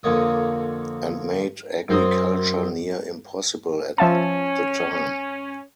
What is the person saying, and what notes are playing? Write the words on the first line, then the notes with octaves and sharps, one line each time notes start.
And made agriculture near impossible at the time.
F2 D3 A#3 C#5 D#6
F#2 C4 C5 A#5 D#6
F3 C#4 E5 A5